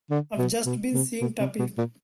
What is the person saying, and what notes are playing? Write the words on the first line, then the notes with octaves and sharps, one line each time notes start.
I've just been seeing Tuppy.
D3
B2
B2
C3
B2
C3
B2
A#2